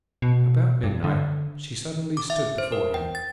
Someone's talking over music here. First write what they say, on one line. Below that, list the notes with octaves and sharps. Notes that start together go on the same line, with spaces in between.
About midnight she suddenly stood before him.
B2
G2
D3
D6
E5
C5
A#4
G5
A6